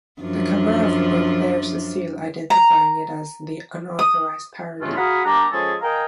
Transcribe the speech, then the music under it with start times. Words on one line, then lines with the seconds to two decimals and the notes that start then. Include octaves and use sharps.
The cover of the book bears a seal identifying it as The Unauthorized Parody.
0.22 F#2 F3 D4
2.50 A#5
3.99 D#6
4.81 G2 C#3 G#3 A3 F4
4.96 F#4 G#4 F5 F#5 A#5 B5
5.25 G3 A#3 D4 G4 A#5
5.51 F3 G#3 C#4 G#4 A4
5.81 A#4 D#5 F5 G5 G#5 A#5